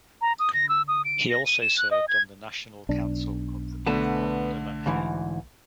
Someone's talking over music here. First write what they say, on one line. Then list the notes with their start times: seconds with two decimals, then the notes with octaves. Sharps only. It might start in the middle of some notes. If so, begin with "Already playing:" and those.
He also served on the national council of the Mouvement de la Paix.
0.21 A#5
0.39 D#6
0.53 A#6
0.69 E6
0.88 D#6
1.05 D7
1.30 A#6
1.46 D#7
1.61 E7
1.78 F#6
1.91 D#5
2.08 G#6
2.89 B1 D4
3.87 D3 A3 B3 A5
4.86 D2 G#2 E3